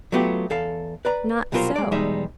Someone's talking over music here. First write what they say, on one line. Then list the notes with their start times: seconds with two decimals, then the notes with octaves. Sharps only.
Not so.
0.12 F#3 A3 B3 F4 G4
0.50 E2 A4 F5
1.05 B4 D5 A#5
1.52 C2 B2 F#3 F4 A#4 C5
1.76 G#3 D5
1.91 B1 E2 G3 G#3 D#4 E5